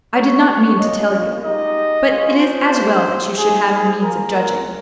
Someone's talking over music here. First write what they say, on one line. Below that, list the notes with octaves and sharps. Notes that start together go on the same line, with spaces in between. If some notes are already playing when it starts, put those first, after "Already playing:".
I did not mean to tell you; but it is as well that you should have the means of judging.
G3 A#3 F4 C#5
C#5
A#3 C#4 F4 D#5
G#3 D#4 G4 D#5
G#3 C#4 F4
C5
C4 D#4 G4
A#3 D#4 G4 G#4
A#3 F4 A#4